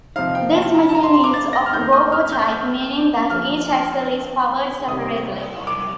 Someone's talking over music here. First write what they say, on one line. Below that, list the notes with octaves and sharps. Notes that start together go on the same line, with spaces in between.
This machine is of Bo-Bo type, meaning that each axle is powered separately.
C3 F3 C4 D#4 F5
G5
A5
A#5
A5
A#5
C6
C6
D6
A6
A#6
F6
F2 D#3 A3 D#4 G6
D#6
F6
G6
D3 F3 A#3 F6
C3 D#3 G3 C4 D#6
D6